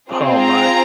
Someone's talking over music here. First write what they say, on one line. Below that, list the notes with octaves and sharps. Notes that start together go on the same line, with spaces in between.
Oh, my.
C4 F4 G#4
A#5